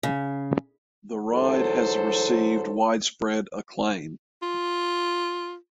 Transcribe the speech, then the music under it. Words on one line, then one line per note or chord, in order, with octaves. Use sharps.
The ride has received widespread acclaim.
C#3
D2 G#2 E3 F#3 A4 C5
F4